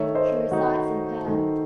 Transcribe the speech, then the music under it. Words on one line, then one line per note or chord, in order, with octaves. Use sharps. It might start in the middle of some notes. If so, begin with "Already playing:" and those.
She resides in Perm.
Already playing: D#3 A3 D#4 C#5 E5
C5 D#5
D#3 A3 D#4 F#4
D#3 A3 D#4